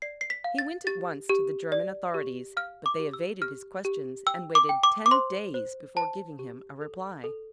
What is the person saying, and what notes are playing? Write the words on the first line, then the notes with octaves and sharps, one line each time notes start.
He went at once to the German authorities, but they evaded his questions and waited ten days before giving him a reply.
D5 C7
C7
B6
F5
A6
G4 A6
G4
D5
G4
F5 F6
D6
G4
E6
G4 F6
G4
G5 E6
D6
G5
D6
D6
C5 C6
C5
C5 A5
G4
A4
A4